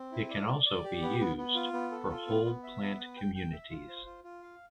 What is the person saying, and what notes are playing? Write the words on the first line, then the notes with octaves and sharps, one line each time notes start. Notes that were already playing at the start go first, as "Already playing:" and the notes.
It can also be used for whole plant communities.
Already playing: C4
E4
D5
D5
D5
G4
B3
B3
B3
F4
B3
A4
F4
B3
B3
E5
B3
B4
G5
G5
E5
F4
C5
F4
F4
F5